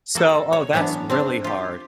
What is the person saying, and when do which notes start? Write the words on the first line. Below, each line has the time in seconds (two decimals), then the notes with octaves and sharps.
So, oh, that's really hard.
0.15 A#3 F#4 A4
0.53 C#5
0.73 E3 F#3 B3 C#4 D4
1.10 C4 D4 F5
1.44 F4 G4